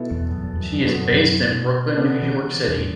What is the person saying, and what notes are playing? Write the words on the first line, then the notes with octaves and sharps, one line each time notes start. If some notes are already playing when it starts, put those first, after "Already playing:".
She is based in Brooklyn, New York City.
Already playing: B2 B3 E4 A4
E2
F#2
E2
F#2
F#2
F#2 D3 B3 F#4
F#2
B2
D3 B3 D4
E3
E2
A2